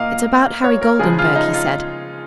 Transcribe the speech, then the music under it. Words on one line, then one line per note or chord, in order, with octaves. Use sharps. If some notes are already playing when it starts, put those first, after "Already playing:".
"It's about Harry Goldenburg," he said.
Already playing: A#2 A#3 A#4 D#5 F5
C#5
A#4
C#3 F3 G#3 G#4
F4
D#4
F4